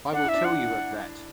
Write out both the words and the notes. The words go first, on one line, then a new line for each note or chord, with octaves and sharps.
I will tell you of that!
D4 F#5
E4
E5
D4
E4 F#5